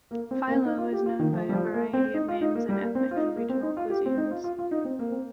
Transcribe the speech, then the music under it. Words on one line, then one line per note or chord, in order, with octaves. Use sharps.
Filo is known by a variety of names in ethnic and regional cuisines.
A#3
C4
A#3
C4
D#4
F4
G4
F4
D#3
F3
G3
F3
A#3
C4
D#4
F4
D#4
A#3
G3
A#3
C4
F4
D#4
A#3
C4
D#4
F4
G4
C4
D#4
F4
F4
F4
D#4
C4
A#3
C4